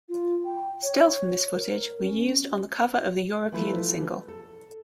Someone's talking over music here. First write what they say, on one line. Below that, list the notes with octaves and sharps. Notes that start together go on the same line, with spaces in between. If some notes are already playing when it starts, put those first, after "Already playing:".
Stills from this footage were used on the cover of the European single.
F4
G5
C#5
A#4
C#4
E3 F3 G3 A3 E4 B4
A4